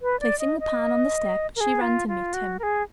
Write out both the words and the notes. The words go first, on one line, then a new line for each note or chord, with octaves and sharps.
Placing the pan on the step, she ran to meet him.
B4
D5
D#5
D#5
A#4
G#4
F4
F4
F#4
A#4
G#4